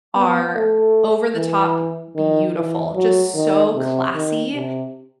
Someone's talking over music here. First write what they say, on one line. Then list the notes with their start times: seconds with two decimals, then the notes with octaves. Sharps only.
are over-the-top beautiful, just so classy.
0.16 B3
0.56 A3
1.36 E3
2.16 D#3
2.55 E3
2.95 F#3
3.35 D#3
3.75 C3
4.15 D#3
4.54 C3